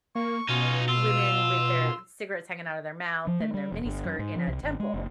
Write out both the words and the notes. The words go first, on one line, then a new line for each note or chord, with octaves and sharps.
Women with their cigarettes hanging out of their mouth and their miniskirt in a temple
A#3 C#6
B2 C#4 D#4 F4
F4 E6
F3
A3
G3
E1
G1
F#2
G#2
F3
C2
G#1
G#3
F#1